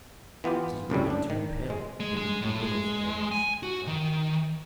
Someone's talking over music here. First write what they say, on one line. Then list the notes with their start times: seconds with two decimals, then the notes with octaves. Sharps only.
Mrs. Greenow turned pale beneath the widow's veil which she had dropped.
0.44 E3 B3 F4 G4
0.90 C#2 F#2 A2 G3
1.10 D4
1.30 D#3
1.70 G#3
2.00 G#3
2.17 G#3
2.42 A2
2.61 G#3
3.32 G#5
3.63 F#4
3.87 D#3